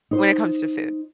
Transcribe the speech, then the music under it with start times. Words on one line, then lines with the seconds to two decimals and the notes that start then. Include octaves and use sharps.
when it comes to food.
0.11 D#4 C5